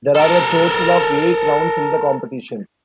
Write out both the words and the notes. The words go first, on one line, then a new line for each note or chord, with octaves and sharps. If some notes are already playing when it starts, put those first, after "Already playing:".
There are a total of eight rounds in the competition.
A4 A#4